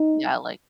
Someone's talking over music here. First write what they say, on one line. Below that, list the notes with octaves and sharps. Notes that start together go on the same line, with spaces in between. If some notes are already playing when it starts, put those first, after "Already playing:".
Yeah, like
Already playing: D#4